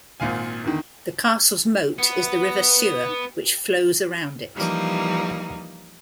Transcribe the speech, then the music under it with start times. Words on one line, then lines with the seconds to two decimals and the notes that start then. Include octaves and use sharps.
The castle's moat is the River Suir which flows around it.
0.20 G#1 A#2 F5 G#5
0.64 E2 D3 D#3
1.99 B3
4.54 E3 F3 G3 A#3 D#4